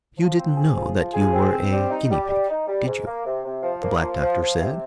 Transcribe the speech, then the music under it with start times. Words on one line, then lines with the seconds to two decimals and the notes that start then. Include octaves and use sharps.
"You didn't know that you were a guinea pig, did you?" the Black Doctor said.
0.17 F3
0.36 C4
0.56 G#4
0.75 F3
0.94 F3
1.13 G#4
1.33 C4
1.51 C4
1.71 G3
1.90 D#4
2.09 G3
2.29 G3
2.48 D#4
2.67 G3
2.86 G#2
3.06 A#3
3.25 C3
3.44 C3
3.63 F3
3.82 A#3
4.01 F3
4.21 F3
4.40 F3
4.59 C3